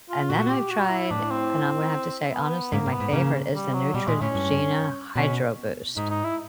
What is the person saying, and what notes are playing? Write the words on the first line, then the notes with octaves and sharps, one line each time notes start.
and then I've tried and I'm gonna have to say honestly my favorite is the Neutrogena Hydro Boost,
F4
A#2 F#4
G4
F#4
E4
A2 D4
C4
B3
G#2 A#3
G2
B3
G#2
C#3 A#3
G3
F#3
B2 G3
A#2 G#3
A2 C#4
G2
B2 C#4
G#2 D#4
D#4
E4